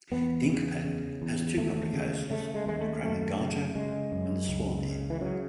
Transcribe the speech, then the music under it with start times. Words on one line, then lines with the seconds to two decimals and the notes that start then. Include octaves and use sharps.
Inkpen has two public houses, the Crown and Garter and the Swan Inn.
0.12 E2 B3
0.49 C#3
0.85 C#3
1.22 E2
1.57 D#2 A3
1.93 C#3
2.30 C#3 A3
2.54 G#3
2.66 D#2 G#3
2.79 A3
3.03 F#2 A3
3.40 C#3
3.75 C#3 G#3
4.12 F#2
4.49 C#2
4.84 C#3
5.10 E3
5.21 C#3 F#3